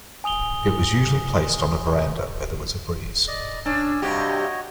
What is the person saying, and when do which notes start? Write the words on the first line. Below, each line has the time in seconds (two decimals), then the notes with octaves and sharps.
It was usually placed on a veranda where there was a breeze.
0.24 G#5 D#6 F7 G7
3.27 D5 D#5
3.66 C#4 D4 G#5 E6
4.02 G2 C3 F#4 G4 C#5 D#5